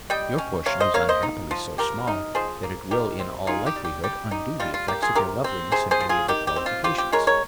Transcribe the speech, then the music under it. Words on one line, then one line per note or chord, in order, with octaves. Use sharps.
Your portion is unhappily so small that it will in all likelihood undo the effects of your loveliness and amiable qualifications.
G3 D#5 G5
C#4
C3 C#5 F5
C5 D#5
A#3 C#5 F5
C5 D#5
D#4
F3
F3 G4 A#4
D#4
F3 G#4 C5
A#3
D#3 G4 A#4
C4
D#4 F4 G#4
G4
G3
G4
G3 G4
D#4
G3 F4
F4
A#3 G4
F4 G#4
C3 G4 A#4
C4
C3 G#4 C5
G#4 C5
F3
F4 G#4
D#3 G4
G4
C4
F4
F4 G4
G4
G#3 A#4 C#5
A#4 C#5